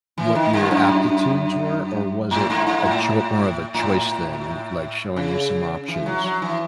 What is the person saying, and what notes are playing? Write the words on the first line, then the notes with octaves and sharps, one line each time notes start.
what your aptitudes were, or was it a choi more of a choice thing and, like, showing you some options?
E3
D#3
G#2
F#2
A2
G#2
G#2
A2
A2
C#3
E3
F#3
F#3
E3